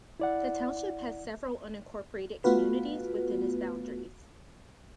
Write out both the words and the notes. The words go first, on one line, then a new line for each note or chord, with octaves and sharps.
The township has several unincorporated communities within its boundaries.
E4 D5 F#5
A3 B3 F4 F#4 B4